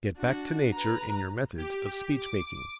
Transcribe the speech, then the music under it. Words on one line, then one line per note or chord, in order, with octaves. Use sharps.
Get back to nature in your methods of speech-making.
D4 F#4
B4 A#5
G4
D6